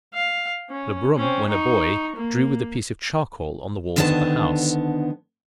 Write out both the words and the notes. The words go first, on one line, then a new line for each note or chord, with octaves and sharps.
Le Brum, when a boy, drew with a piece of charcoal on the walls of the house.
F5
C#4
C4 C#4
D#4 C#6
A#3
D2 D3 D#3 B3 B4 A5